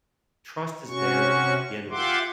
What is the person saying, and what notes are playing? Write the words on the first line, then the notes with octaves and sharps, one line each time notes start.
trust is there to begin with,
C3 C#4 F#4 C#6
F4 G4 E5 F#5 C6 D6